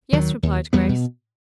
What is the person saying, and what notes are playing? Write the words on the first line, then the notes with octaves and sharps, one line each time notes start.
"Yes," replied Grace.
D#2 D#3 F#3
D#2
E2 G3 B3
B2